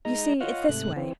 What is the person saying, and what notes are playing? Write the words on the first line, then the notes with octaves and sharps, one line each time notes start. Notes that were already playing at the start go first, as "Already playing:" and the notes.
You see it's this way.
G#3 D#4 D#5 A#5
F4 C#5 D#5 F5 F#5
G#2 C3 A3 F#6
E3 C4